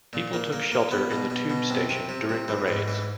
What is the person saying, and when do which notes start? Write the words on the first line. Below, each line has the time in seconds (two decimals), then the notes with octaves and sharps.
People took shelter in the tube station during the raids.
0.13 A#2
0.33 A#3
0.53 A#3
0.72 A#3
0.91 B3
1.11 B2
1.30 B2
1.50 B2
1.70 C3
1.89 C3
2.09 C3
2.29 C3
2.48 E3
2.68 G#2
2.88 E3